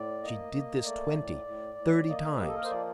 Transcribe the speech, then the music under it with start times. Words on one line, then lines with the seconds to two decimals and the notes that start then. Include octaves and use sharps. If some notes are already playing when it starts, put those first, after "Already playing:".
She did this, twenty, thirty times.
Already playing: A2 D5
0.23 A#3 D#5
0.54 A#3
0.85 A3 D5
1.16 A2
1.47 A2
1.78 A2
2.08 A#3 D#5
2.39 A#3 G4
2.48 A4
2.57 A#4
2.64 C5
2.70 F3 D5